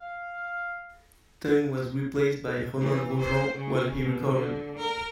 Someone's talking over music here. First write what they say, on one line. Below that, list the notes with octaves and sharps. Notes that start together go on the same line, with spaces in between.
Tung was replaced by Romain Grosjean while he recovered.
F5
E3
C5
C#3
B2
D3
A#4